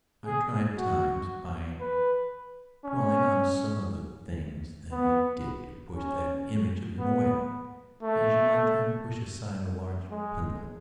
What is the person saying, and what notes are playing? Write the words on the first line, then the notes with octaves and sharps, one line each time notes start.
I try at times by dwelling on some of the things that he did to push that image of him away, as you might try to push aside a large pendulum.
G#4
F#4
B4
C#4
B3
C#4
B3
A3
G#3